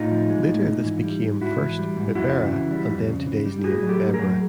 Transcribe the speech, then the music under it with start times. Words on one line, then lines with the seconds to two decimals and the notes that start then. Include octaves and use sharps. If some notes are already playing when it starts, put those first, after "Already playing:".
Later this became first "Bibera", and then today's name Bebra.
Already playing: A2 D#4 F4
0.11 F3
0.30 G#3
0.49 A2
0.67 G#2
0.85 E3
1.04 G3
1.22 G#2
1.41 G#2 E4 F#4
1.59 E3
1.79 G3
1.96 G#2
2.15 F2 E4 F#4
2.34 C#3
2.53 E3
2.71 G3
2.90 F2
3.08 C#3
3.26 E3
3.45 G3
3.64 A2 F#4 G#4
3.83 F#3
3.89 G4 A4
4.01 A2
4.14 G#4 A#4
4.19 F#3